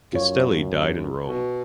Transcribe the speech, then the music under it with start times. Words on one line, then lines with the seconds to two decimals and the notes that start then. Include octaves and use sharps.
Castelli died in Rome.
0.13 F#2 F4 C#5
1.25 B2